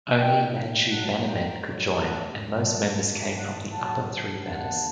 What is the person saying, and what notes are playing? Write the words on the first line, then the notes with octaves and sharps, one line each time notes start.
Only Manchu bannermen could join, and most members came from the upper three banners.
A#2 A3 D#4 D#5 G5
D#2 D#3 F#3 F#5 A5
G5 A#5
A2 F#3 A3 D#4
F#5 A5
F#2 D#3 F#3 A3
F#5 A5
F#2 D#3 G3 D4
F#5 A5
D#2 D#3 F#3 F#5 A5
D2 D3 G3 A#3 F#5 A5